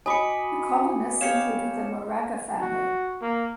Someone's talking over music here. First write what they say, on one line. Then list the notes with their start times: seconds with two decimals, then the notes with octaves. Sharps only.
The colonists included the Moraga family.
0.06 F#4 D#5 G#5 B5 D6 C#7
1.21 B3 G4 C#5 F5 C#7 E7
2.62 F#4
3.22 A#3